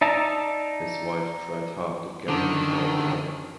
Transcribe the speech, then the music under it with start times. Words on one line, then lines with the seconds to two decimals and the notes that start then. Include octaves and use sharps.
His wife tried hard to get him to open up.
0.01 D#4 D5 E5 A5 A#5
2.28 F#2 D3 D#3 E4 A5 D6